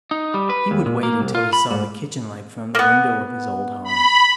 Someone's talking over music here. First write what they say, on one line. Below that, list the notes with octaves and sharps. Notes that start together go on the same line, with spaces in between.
He would wait until he saw the kitchen light from the window of his old home.
D#4
G3
B4
D#2
A#2
A#3
C2
F4
B5
G#2
A#3 B3
B5